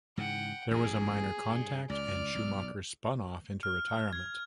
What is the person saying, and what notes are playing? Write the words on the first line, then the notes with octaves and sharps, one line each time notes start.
There was minor contact and Schumacher spun off into retirement.
G#2 C#3 E3 F#5 G5
A1 F#2 A#2 G#4
G2
C#2 D5 F6
B1
F6
G#6